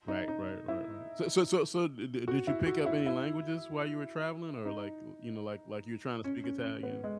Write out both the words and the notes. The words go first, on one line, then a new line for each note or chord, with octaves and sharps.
Right, right, right, right. So it so so so did did did you pick up any languages while you were traveling, or, like, you know, like like you're tryna speak Italian?
D#4
D#4
E4
F#4
E4
F#4
E4
E4
D#4
C#4
C#4
C#4
B3
G#3